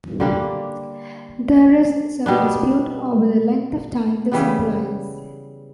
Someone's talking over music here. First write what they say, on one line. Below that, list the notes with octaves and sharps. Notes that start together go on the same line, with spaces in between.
There is some dispute over the length of time this implies.
D3 G3 A#3 D4
B2 G3 B3 D4
C#3 E3 G3 B3